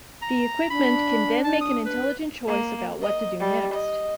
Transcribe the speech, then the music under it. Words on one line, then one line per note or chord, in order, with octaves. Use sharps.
The equipment can then make an intelligent choice about what to do next.
A#5
D4 B5
A5
D#6
B4
A#3
D#5
G3
D#5